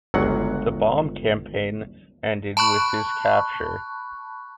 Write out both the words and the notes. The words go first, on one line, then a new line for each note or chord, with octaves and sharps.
The bomb campaign ended with his capture.
G1 C#2 F#3 F#5
A5 B5 C#6 F#6